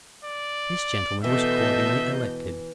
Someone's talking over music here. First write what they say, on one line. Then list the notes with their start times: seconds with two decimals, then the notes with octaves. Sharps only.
This gentleman was accordingly elected.
0.24 D5
1.24 B2 E3 A4 D#5 E5 G6